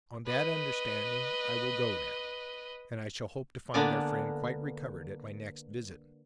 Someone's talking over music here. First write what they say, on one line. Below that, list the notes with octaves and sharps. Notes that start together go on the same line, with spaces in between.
"On that understanding I will go now; and I shall hope to find our friend quite recovered at my next visit."
B4 D#5
D3 A#3 B3 D4 D5 G#5